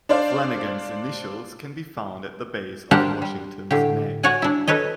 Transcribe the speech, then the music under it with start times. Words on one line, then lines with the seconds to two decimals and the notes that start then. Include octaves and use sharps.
Flanagan's initials can be found at the base of Washington's neck.
0.09 D4 C5 D5 F5
2.91 D4 G4 A#4 C5 F#5 A5
3.22 G3
3.71 A2 D3 G4
4.23 F#4 C#5 D5 F#5 G#5
4.42 D4 E4
4.67 A4 B4 C#5 D#5